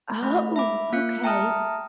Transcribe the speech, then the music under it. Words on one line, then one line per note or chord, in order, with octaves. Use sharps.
Ah, oh, okay.
A3 B5
E5 B5 D6
A#3 F4 F5 F#6 C#7
E5 G5 A5 A#5 D#6 F6